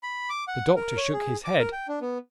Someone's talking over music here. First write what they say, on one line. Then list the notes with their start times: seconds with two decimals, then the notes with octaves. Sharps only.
The doctor shook his head.
0.03 B5
0.29 D6
0.48 F#5
0.76 A#4
0.97 C#5
1.13 G#4
1.44 D6
1.59 A#4
1.72 G5
1.88 D4
2.01 B3